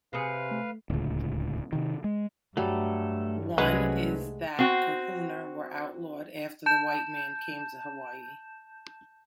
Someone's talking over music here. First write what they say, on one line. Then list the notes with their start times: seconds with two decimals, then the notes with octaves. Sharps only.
One is that kahuna were outlawed after the white man came to Hawaii.
0.13 C3 G#4 B4 F5 C7 C#7
0.51 A3
0.90 D1 C#2
1.73 C3 D#3
2.04 G#3
2.57 G2 F#3 G3 A3 A4
3.58 C2 F#3 G#3 A3 C#4 G#4 B4 F#5
4.59 C4 F#4
6.66 A5 G6 E7